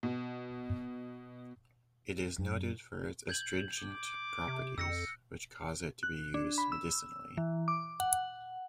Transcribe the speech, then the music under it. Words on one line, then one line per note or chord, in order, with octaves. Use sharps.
It is noted for its astringent properties, which cause it to be used medicinally.
B2
F#2
G6 G#6 F#7
D6
C3
F2 E6 A#6 C#7
F#6
D4
B5
E6
E3
D6
F#5